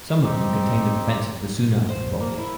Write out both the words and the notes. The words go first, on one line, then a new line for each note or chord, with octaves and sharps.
Some of them contain the defense of the Sunnah of the Prophet.
C4 D#4 G4
C5
A#3
E4